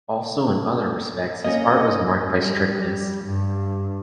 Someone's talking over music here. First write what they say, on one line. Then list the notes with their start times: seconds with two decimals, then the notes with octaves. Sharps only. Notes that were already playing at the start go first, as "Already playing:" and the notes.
Also in other respects his art was marked by strictness.
1.44 A#3 C#4 D#5
2.31 G3
3.24 G2